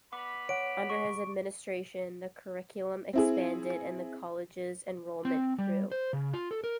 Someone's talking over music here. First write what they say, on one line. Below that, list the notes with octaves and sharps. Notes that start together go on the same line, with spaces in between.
Under his administration, the curriculum expanded and the college's enrollment grew.
B3 D5 B5 D6
C#5 F#5 D7
C#6
C4 E4 G#4
C4
G3
C5
C#3
F4
A4
A#4